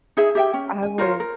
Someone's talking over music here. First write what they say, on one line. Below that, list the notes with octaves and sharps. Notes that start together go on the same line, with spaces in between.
I would
D#4 G#4 E5
G4 E5 G5
C#4
G#5
F4 A#4 C5 C#5
A#4